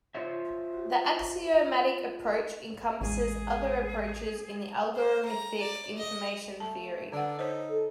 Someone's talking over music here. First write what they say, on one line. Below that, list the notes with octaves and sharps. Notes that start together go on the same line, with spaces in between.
The axiomatic approach encompasses other approaches in the algorithmic information theory.
F4 C5 C#5 E5
A1 E2 G#3 G#4
C5
A#5
D5
D#5
A3 A5
D3 D4 A4 F#5
D#4 C5 C#5
A4